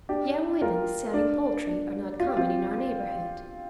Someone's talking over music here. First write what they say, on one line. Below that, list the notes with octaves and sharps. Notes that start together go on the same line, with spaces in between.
Young women selling poultry are not common in our neighborhood.
D4 G4
F4 A#4
D4
D4
F4
G4
C4 F4